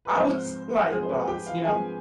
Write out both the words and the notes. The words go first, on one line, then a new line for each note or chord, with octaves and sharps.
I was, like, lip gloss, you know?
B4
G#2 F3 C4 C5
G#2 F3 C4 G#4
C5
B4
G4 G5
F4 F5
G#2 F3 C4 G#4 G#5